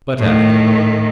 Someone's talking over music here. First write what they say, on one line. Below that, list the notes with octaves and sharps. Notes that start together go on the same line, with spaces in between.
But after.
A2 D#3